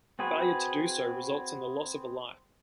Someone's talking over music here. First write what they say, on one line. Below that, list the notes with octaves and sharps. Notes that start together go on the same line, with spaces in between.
Failure to do so results in the loss of a life.
C4 F#4 G#4 B4